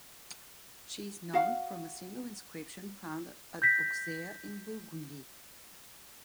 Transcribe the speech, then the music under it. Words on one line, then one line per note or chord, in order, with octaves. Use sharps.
She is known from a single inscription, found at Auxerre in Burgundy.
F#4 F5 F#5
G6 A#6 B6